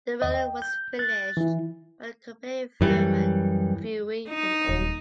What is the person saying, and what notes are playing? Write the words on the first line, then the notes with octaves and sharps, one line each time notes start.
The railing was finished by the company Hermann Vieweg from Aue.
D#2 D#5
G5
G6
F#6 A6
E3 E4
F#2 E3 G3
D#4
D#1